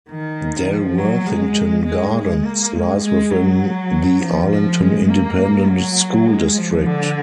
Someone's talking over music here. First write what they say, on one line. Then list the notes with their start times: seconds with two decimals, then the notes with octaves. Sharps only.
Dalworthington Gardens lies within the Arlington Independent School District.
0.10 D#3
0.69 F3
0.98 F#3
1.27 G#3
1.85 G#3
2.16 G#3
2.46 A#3
2.75 G#3
3.04 G#3
3.33 F#3
4.21 F3
4.51 F3
4.81 G#3
5.10 A#3
5.68 F#3
6.27 G#3
6.58 F3
6.86 D3